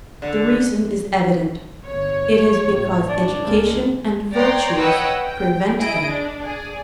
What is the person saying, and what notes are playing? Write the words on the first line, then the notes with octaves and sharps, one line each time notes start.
The reason is evident: it is because education and virtues prevent them.
D3
G1 C#5
A2
D4
C#2 G#3 A#3
C#5 D5 G5 A#5 C6
B4 C#5 D#5 F#5 G5 E6
G5
E4 G#4 D#5 D7
D4
G#4 D5